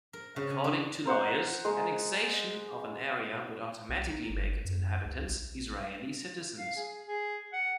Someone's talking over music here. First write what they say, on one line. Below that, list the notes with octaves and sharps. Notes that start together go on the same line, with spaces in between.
According to lawyers, annexation of an area would automatically make its inhabitants Israeli citizens.
A#4
C#3
G#5
D4
A#4 C5 F#5
G#3 A#4
B1
D#4
G1
F#2
C#2
A#1
F5
G#4
G#4
F#5